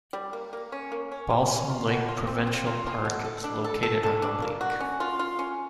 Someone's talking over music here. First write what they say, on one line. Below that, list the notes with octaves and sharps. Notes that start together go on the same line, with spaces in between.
Balsam Lake Provincial Park is also located on the lake.
G3
A#3
A#3
C#4
A#3
C#4
A#3
C#4
F4
B2
F4
C4
C4
F4
F4
B2
A4
D4
A4
A4
A4
D4
A#3
F#4
C#4
F4
F4
C#4